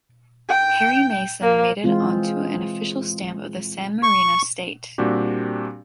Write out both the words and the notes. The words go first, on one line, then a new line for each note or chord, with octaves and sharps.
Perry Mason made it onto an official stamp of the San Marino state.
G5
A#3
E3 G#3 C4 F4
C#6
A#2 G3 C4 D4 F#4 G4